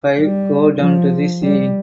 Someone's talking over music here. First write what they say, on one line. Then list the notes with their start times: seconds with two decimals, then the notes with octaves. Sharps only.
Five Go Down to the Sea?
0.18 G3
0.80 F3
1.42 G3